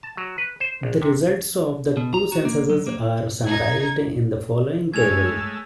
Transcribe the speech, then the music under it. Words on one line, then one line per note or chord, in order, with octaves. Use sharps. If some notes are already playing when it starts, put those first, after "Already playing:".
The results of the two censuses are summarized in the following table.
A5
F#3
B4
C5
A#1
C3
B2
A#5
F#4
A#3
F#3
A#3
D#4 G#6
G#3 A3 C#5 G#5 E6 G#6 F7